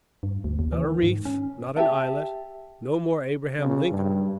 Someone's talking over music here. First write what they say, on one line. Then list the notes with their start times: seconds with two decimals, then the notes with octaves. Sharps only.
Not a reef, not an islet. No more Abraham Lincoln.
0.23 G2
0.44 D2
0.59 D#2
0.72 E3
0.84 D#3
1.03 G#2
1.25 C#4
1.76 G4 E5 A5
3.59 C#3
3.92 G2